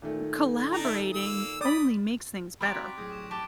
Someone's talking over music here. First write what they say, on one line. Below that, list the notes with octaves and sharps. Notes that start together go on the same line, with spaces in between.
collaborating only makes things better.
A#2 D#3 A3
D4 D#4 A#5
E5
A#3 E6
D5 B5 D#6
C4 G4 D5 F5 A#5 B5 F6 F#6
F#4 G#6 B6 D7
B6
A2 F#3 G#4 D#6 G6 A#6
C#6 D#6 E7
G4 A5 D6 D7 G7